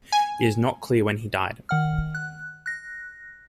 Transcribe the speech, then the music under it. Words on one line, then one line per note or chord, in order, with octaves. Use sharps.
It is not clear when he died.
G#5
D#3 F#5 F6
F#6
F#6 A#6